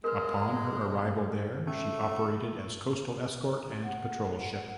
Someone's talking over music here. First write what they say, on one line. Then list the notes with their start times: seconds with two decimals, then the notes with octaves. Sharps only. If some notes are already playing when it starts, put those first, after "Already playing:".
Upon her arrival there she operated as coastal escort and patrol ship.
0.04 G#3 A#4 B4
1.67 A3 C#4
3.83 F#5